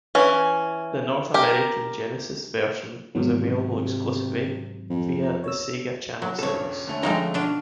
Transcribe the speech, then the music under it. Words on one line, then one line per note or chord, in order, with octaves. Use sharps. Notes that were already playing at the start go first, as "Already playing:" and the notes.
The North American Genesis version was available exclusively via the Sega Channel service.
E3 C#4
G4 A#4
E2 G#2 D#3 F#3
C3
F2
A#5
C#5 E6
F#3
D#1 G2 C#3 A4 C#5
D3 A3 C#4
F3 G#3 C4 D#4
B2 D4 F4